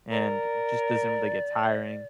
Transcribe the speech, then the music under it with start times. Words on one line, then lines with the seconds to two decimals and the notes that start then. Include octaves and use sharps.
and it just doesn't really get tiring.
0.12 A#4 D5